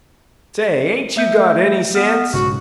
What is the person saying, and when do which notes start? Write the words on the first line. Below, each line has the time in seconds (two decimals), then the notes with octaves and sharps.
"Say, ain't you got ANY sense?"
1.16 A3 E5 G6
1.95 B3 F6
2.34 B1 G#2 C#3 F#4